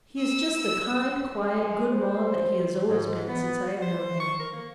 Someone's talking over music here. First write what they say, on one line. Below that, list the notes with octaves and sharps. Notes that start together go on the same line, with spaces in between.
He is just the kind, quiet good mon that he has always been since I have known him.
E6
G#3
C5
G#2
B3
C5
C#6
A#4
A#3